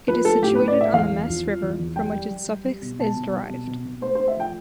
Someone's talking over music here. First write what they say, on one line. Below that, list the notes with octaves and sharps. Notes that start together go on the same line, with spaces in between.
It is situated on the Mess River, from which its suffix is derived.
F3 B4
A3 A4
A2 G4
B4
A2
D5
A3 E5
E2 F5
E2
F3
F3
E2
E2
G3 G5
G3
G3
G3
G3
B2
B2 A5
B2
G3
B2
B2
B2
A3 C5
C5
A3
E5
F3 G5